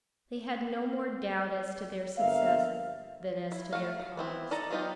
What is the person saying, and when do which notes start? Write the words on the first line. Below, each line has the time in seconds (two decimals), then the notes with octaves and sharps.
They had no more doubt as to their success than as to their cause.
2.18 G1 A#3 E5 F5
3.52 E4
3.73 A3 F#4 F5
3.99 F#3
4.17 B3 C4 E4
4.51 D#4 A4 D5 A5 A#5
4.70 F#3 B3 D#4 F4 G4